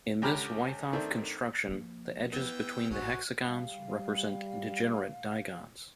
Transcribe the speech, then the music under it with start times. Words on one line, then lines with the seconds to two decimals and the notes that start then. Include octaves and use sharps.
In this wythoff construction the edges between the hexagons represent degenerate digons.
0.22 C#2 D3 G4 A#5 B5 F6
0.93 D#3 A3 C4 D4
1.68 F3 A#3
2.33 E3 B3 G5 E6
2.90 A1 D2 F#3 G#3 C#4 F#4
3.44 G3 F5